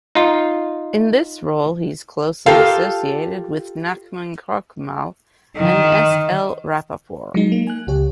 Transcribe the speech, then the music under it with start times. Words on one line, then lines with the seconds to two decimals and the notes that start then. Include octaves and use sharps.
In this role he is closely associated with Nachman Krochmal and S. L. Rapoport.
0.15 D#4 F4
2.46 F4 G4 A4 A#4 F5
5.56 D#3
7.34 F#3 G#3 D#4
7.52 A#3
7.67 G#5 F#6
7.87 C#2 G4 C#5